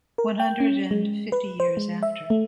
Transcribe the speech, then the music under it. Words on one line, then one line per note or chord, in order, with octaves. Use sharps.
One Hundred and fifty years after.
A#4
G5
C#4
G#3
B4
C5
G#3
E5
A3